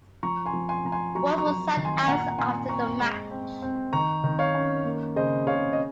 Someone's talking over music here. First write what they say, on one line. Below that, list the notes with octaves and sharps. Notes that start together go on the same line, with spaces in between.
Walls was sacked hours after the match.
F3 A#5 C#6
G#5 C6
F3
G#5 C6
F3 A#5
G#5 C6
F#3 A#5 C#6
C6
A#5 C#6
F#3
D#3
G#5 C6
A#2 F#5 A#5
A#5
A#2 G#5 C6
C4 A#5 C#6
G#3
C4
C4
D#3 A#5 C#6
D#3
C#5 F5
C#4
A#3
C#3 C5 D#5
C#3 C#5 F5
D#5